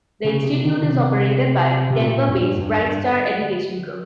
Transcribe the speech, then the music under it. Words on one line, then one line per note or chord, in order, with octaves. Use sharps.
The institute is operated by Denver-based BrightStar Education Group.
C#3
C3
D#3
C3
C3
A#2
G2
G2
G2